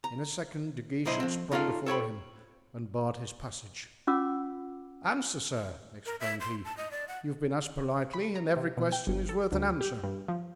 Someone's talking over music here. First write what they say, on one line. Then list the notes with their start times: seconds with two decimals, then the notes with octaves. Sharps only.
In a second De Guiche had sprung before him and barred his passage. "Answer, sir," exclaimed he; "you have been asked politely, and every question is worth an answer."
0.04 A#5
1.05 B1 E4 C5 D#5
1.20 F3 C4
1.52 D#4 F4 A4 D5 F5
1.86 A4 C#5 G5 B5
4.07 C#4 F4 F#5 D6 E6
6.06 A#4
6.20 E5
6.40 C6
6.65 A5
6.77 D#5
6.91 D5
7.08 F#5
8.14 B5
8.36 A#5
8.56 C3
8.77 B2
8.92 G5
9.07 G1
9.29 A4
9.52 D2
9.81 G4
10.03 G2
10.28 F3